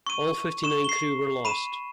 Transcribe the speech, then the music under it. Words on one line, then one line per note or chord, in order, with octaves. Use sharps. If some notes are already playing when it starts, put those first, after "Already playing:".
All fifty-nine crew were lost.
C#6 D#7
C#6 E7
C7 G7
B5 D#7 E7